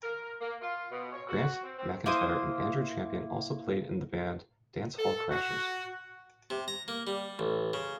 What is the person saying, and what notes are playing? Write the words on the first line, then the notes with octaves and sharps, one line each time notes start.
Grant McIntire and Andrew Champion also played in the band Dance Hall Crashers.
A#4
A#3
F4
B2
C#5
F#4
C4
C4
A#3 E4 C5 D#6
A4
F#4
C3
A#5
A#3
G3
A1
C#3